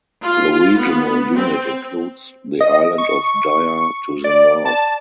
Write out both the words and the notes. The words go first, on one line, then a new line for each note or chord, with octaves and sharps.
The regional unit includes the island of Dia to the north.
F4
B3
C4
D#5
C#6
D5
A5